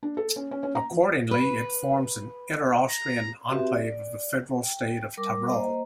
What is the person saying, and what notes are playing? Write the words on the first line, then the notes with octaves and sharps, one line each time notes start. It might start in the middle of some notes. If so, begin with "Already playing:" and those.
Accordingly, it forms an inner-Austrian exclave of the federal state of Tyrol.
D4
A4
C#4
C#4
C#4
A#5
F3
B4
A#5
C4 F#4 G4 B4 E5
D5
G5
G3 A#4 D6
A#3 C5 D#5 A#5